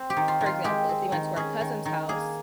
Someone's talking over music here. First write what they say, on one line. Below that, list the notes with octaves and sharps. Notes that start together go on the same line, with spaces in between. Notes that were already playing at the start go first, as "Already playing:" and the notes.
for example, if we went to our cousin's house
Already playing: C4
G4
D#3
F4
D#3
F4
G#3 G4
C4
D#3
C#4 G#4
D#3
D#3
A#3 G#4